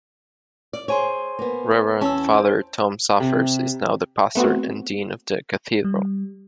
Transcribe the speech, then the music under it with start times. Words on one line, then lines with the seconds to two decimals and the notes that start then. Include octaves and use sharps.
Reverend Father Tom Zaferes is now the pastor and dean of the cathedral.
0.73 D5
0.88 G#4 C5 C#5 G#5 C6
1.39 A#3 B3
2.01 E2 C#4 A5 E6
2.34 C5
3.20 C3
4.35 A3 B3 C4 F#4
5.84 G3